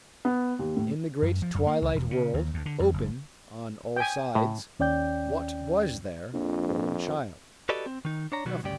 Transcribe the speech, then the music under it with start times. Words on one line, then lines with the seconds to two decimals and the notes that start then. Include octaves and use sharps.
In the great twilight world, open on all sides, what was there for the child? Nothing.
0.25 B3
0.59 D#2
0.76 A2
1.22 F#2
1.42 F3
1.54 F#2
1.67 A#3
1.82 C#2
1.95 E1
2.11 C#3
2.34 D#2
2.54 D2
2.66 D3
2.80 F2
2.93 F#1
3.96 G5 G#5
4.35 A2
4.79 D#2 C#4 D5 G5 G6
6.34 A#1 F2
7.69 F#4 G4 A4 B4 D5 D#5
7.86 C4
8.05 D#3 D#4
8.32 D4 C#5 A#5
8.46 B2 D#3 F#3 G3
8.63 D2 G2 C#3 G4 D5